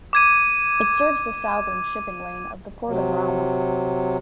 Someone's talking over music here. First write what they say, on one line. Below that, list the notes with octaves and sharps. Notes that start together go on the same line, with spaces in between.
It serves the southern shipping lane of the Port of Rauma.
D6 G#6 D#7
C3 F#3